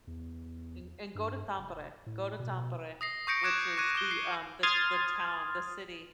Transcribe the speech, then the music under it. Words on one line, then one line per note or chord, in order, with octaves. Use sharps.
And and go to Tampere, go to Tampere, which is the, um, the the town, the city
E2
G2
F1
A2
B2
D#6 A#6 C7
C#6 D#6 G6 A#6 C#7 D7
C#6 D6 F#6 G#6 D7 E7
C#6 F#6 G#6 D#7
D6 F#6 G7
C7
C6 D#6 F6 G#6 A6